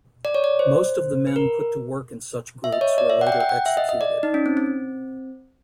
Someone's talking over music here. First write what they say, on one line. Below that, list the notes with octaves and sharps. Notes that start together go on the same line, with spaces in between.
Most of the men put to work in such groups were later executed.
D5
C#5
D5
C5
B4
A#4
E5
D#5
C#5
D5
E5
F#5
G5
F#5
G5
F#5
E5
D#5
D#5
D5
D#4
C#4
C4
C4